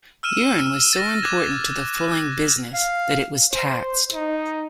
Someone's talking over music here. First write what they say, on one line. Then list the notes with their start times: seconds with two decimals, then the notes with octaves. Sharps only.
Urine was so important to the fulling business that it was taxed.
0.23 E6 F6 D#7 E7
0.93 A6 A#6
1.22 D6 F#6 G#6 E7
1.95 F#6
2.74 F5
3.52 C5
4.13 D#4